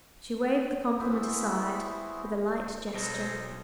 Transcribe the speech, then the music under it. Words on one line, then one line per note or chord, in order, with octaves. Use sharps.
She waived the compliment aside with a light gesture.
B3 E4 F#4 G#4 C5 E5
B1 A4 C5 D#5